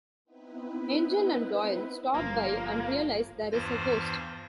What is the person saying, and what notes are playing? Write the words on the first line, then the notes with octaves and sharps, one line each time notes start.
Angel and Doyle stop by and realize there is a ghost.
B3 C4 D#4 E4 B4
G1 F3 A#3
E2 G2 E3 F4 C5 A#6